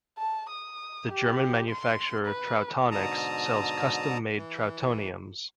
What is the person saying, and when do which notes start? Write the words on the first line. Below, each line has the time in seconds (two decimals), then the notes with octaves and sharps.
The German manufacturer trautoniks sells custom made Trautoniums.
0.18 A5
0.49 D#6
1.12 G4
1.70 C6
2.26 B4
2.91 G#2 B2 D3 A5 A#5 D#6
4.36 E3